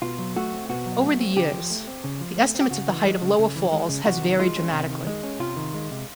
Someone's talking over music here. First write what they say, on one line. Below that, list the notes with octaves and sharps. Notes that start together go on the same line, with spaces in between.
Over the years the estimates of the height of Lower Falls has varied dramatically.
B2 F4
F#3
A3 F#4
C4
B2 F#4
F#3
A3
C4
C#3 G4
F3
A3
C4
C#3
F3
A3
C4
G4
C#3 F#4
E3
G#3
C#3
C#3
E3
G#3
C#3
C3 F#4
D#3
G#3 F4
C#4
C3
D#3
G#3
C#4
C3 F4
D#3
G#3
C3